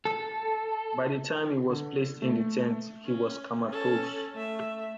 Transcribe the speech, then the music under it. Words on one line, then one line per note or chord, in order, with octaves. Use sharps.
By the time he was placed in the tent, he was comatose.
A4
D3
A3
C#4
C#4 A4
A3 E5